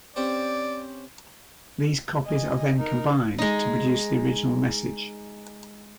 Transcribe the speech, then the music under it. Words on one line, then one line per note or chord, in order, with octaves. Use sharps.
These copies are then combined to produce the original message.
C4 C#4 G4 D5
D#5 G#5
D#4 A#4
G#3 D#4